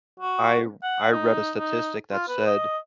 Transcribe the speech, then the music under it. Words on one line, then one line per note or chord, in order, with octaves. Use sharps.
I re I read a statistic that said
F#4
F#5
D#4
D#4
F4
B4
D#5